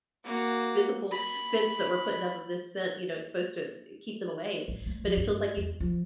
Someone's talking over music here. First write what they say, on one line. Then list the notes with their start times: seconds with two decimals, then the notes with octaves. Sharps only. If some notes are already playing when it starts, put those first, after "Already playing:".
Visible fence that we're putting up of this scent, you know, it's supposed to keep them away, but it feels like you
0.24 A#3 F#4
1.11 B5
4.68 A1
4.86 A3
5.04 F3
5.17 G2
5.57 E2
5.80 F3